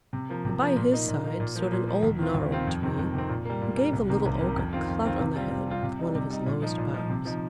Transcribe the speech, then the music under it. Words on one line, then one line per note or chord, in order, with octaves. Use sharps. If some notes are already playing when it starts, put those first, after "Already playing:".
But by his side stood an old gnarled Tree, who gave the Little Oak a clout on the head with one of his lowest boughs.
C3
F3 A#3
C3
F3 A#3
A#2
A#3 D#4
A#2
A#3 D#4
A#2
F3 A#3
A#2
F3 A#3
D#2
D#3 C4 F4
D#2
D#3 C4 F4
F2
C3 D#3 C4
F2
C3 D#3 C4
A#2
G3 A#3
A#2
G3 A#3
C2
C3 D#3 A#3
C2
C3 D#3 A#3
F2
D#3 C4 F4
F2
D#3 C4 F4
C3
G3 C4 F4
C3
G3 C4 F4
C3
G3 D#4
C3
G3 D#4
A#2
F3 D#4
A#2
F3 D#4
C3
F3 D#4